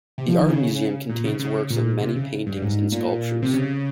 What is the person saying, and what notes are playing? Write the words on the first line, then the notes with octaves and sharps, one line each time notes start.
The Art museum contains works of many paintings and sculptures.
C3
F3
D#3
C#3
A#2
C#3
C#3
A#2
C3
C#3
G2
G2
G#2
A#2
C3
C#3